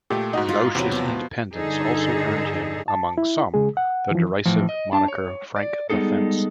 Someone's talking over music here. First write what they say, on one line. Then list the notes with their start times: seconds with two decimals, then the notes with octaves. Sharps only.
Lausche's independence also earned him, among some, the derisive moniker, Frank the Fence.
0.10 A#2 A3 G4
0.33 G#2 D#4 F#4 D#5
0.49 F4
0.75 E2 C3 F#3 B3
0.92 B2 F3
1.54 G2 D3 D#4 G#4 A4
2.88 A5
3.18 E4
3.54 C#3 G#3 G#4
3.77 F#5
4.11 E3 F3
4.45 A2 E3 F3
4.69 D#5
4.93 D4 A5
5.08 C#5
5.56 D5
5.90 G3 G#3 B3 D#4 G#4 A4